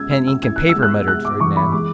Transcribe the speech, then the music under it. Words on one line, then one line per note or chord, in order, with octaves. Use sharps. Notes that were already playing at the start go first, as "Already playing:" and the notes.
"Pen, ink, and paper," muttered Fernand.
Already playing: G#3 C#4 E6 G#6
C#4 E6
E6
E4 G#6
F#6
E6
G#3
F#6
G#3 F#6
D6
E3 C#6
B5
G#3 D6